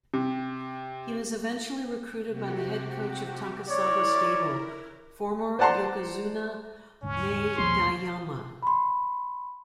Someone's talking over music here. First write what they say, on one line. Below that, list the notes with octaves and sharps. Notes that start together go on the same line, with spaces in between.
He was eventually recruited by the head coach of Takasago stable, former "yokozuna" Maedayama.
C3
C3 F#4 G4
E4 A#4 C#5 D5
C5 D5 F#5 A5 A#5 C6
D#1 G#2 D3 C#4
A#1 D#2 B2 F3 C6
B5 C6